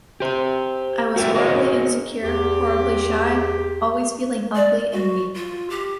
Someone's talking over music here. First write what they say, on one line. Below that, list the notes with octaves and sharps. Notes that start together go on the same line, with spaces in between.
I was horribly insecure, horribly shy, always feeling ugly and weak.
G4 C5
F#4 G4 A4 A#4 E5
F#4 G#4 A#4 C5 C#5 D#5
E2 G4
D5
F#4
F4
G4